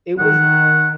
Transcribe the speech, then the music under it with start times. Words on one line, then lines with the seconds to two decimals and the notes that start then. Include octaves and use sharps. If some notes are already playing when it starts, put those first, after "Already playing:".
It was
0.19 D#3 F#5